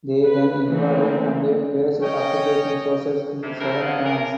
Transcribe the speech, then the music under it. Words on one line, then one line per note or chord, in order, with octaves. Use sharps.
They then invaded and placed occupation forces in southern France.
B4
E3 A3 A#3 C4 D#4
C#4 C#5 D#5 G5
G2 C3
G3 A3 C4 E4 A#4
G#2 B3 D#5 F5 F#5
B3 D4 A#4